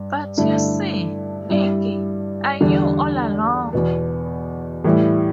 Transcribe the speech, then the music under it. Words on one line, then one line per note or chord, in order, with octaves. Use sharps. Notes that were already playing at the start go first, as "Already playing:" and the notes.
But you see, Niki, I knew all along.
Already playing: G2
G2 D3 A3 E4
G2 G3 E4
E2 D3 G3 D4
E2 B2 B3
A2 E3 G3 E4